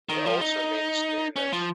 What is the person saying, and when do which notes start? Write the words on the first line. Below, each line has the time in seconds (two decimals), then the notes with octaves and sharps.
It also means Newness.
0.09 D#3
0.26 F3
0.41 D#4
1.36 C#4
1.52 F3